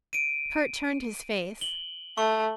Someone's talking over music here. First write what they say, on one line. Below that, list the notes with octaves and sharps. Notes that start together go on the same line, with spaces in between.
Kurt turned his face.
D7 D#7
F#7 G7
A3 C#6